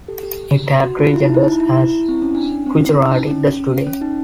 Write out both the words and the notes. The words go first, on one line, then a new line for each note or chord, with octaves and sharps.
It had three genders as Gujarati does today.
G4 A4
G4
F#4
F4
E4
D#4
E4
D#4
E4
C4
C#4
D4
C#4
C4
C#4
C#4
E4
D#4
C#4
C#4
D#4